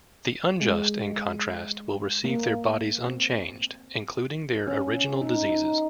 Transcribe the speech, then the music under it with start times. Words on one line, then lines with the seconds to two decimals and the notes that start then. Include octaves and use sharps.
The unjust, in contrast, will receive their bodies unchanged, including their original diseases.
0.61 G#3
2.24 A#3
3.05 C4
4.67 C#4
4.94 C#4
5.21 D#4
5.49 D#4